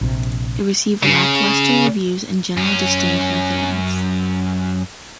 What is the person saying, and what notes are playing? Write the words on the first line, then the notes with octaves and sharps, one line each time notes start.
It received lackluster reviews and general disdain from fans.
A#1 C3
C#3
F#2 C#4